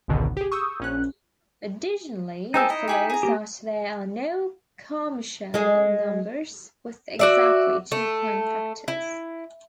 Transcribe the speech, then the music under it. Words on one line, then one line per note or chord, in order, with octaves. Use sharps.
Additionally, it follows that there are no Carmichael numbers with exactly two prime factors.
G#1 C#2 G#2 B2 D3 D#3
G4 G#4
C#6 D#6 E6 G6
A#1 C#4 F#6
D#4 G4 G#4 C5 A5 E6
D#4 E4 D#5
G4 G#4 B5
G#4 A#5
A#3 G4
G#3 G#4
F#4 D5 E5
A3
E4